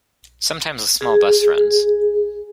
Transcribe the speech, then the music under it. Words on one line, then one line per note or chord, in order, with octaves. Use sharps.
Sometimes a small bus runs.
G#4